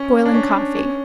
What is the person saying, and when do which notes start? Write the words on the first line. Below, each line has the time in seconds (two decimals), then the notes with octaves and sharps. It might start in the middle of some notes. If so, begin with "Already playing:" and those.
Boiling Coffee.
Already playing: C#4
0.25 D4
0.34 C#4
0.77 C#4